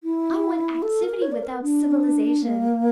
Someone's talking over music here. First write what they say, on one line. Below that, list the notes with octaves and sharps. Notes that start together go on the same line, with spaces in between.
I want activity without civilization.
E4
A4
A#4
C#5
D5
A#4
D4
A#3